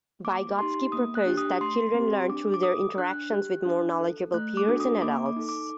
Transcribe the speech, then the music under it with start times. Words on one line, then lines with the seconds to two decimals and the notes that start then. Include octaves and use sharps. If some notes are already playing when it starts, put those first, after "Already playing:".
Vygotsky proposed that children learn through their interactions with more knowledgeable peers and adults.
0.24 A#3 D6
0.58 D#4 G4 C6
0.92 A#3 D#6
1.15 F#6
1.26 D4 G4
1.37 D#6
1.60 A3 C6
1.94 C4
2.00 G4
2.29 D4 D6
2.54 D6
2.63 A4 D#6
2.98 D4 F#6
3.31 G4
3.65 D4
4.00 A4
4.34 A3 F#6
4.57 D6
4.68 D4 F#4 A4
4.80 D#6
5.02 A#3 D6
5.26 D6
5.36 D#4 A4
5.49 D6